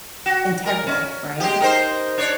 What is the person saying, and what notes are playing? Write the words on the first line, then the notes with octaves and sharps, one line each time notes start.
integral, right?
F#4
A#4
C#4
G#3 G4
D#4 A#4 C5
D4 C#5 D5